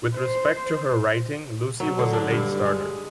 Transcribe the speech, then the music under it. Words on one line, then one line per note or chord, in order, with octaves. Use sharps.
With respect to her writing, Lucy was a late starter.
C5
F#3
D3
D4
G2
G#3